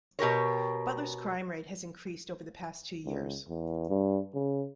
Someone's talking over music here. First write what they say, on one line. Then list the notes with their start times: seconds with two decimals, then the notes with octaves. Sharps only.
Butler's crime rate has increased over the past two years.
0.19 B2 G4 A#4 C#5
3.05 C#2
3.49 E2
3.89 G2
4.34 C#3